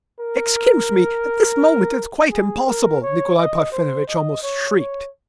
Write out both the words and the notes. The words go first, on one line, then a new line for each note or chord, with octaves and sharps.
"Excuse me, at this moment it's quite impossible," Nikolay Parfenovitch almost shrieked.
A#4
G#4
A#4
C#5
D#5
C5
D#5
C#5
C#5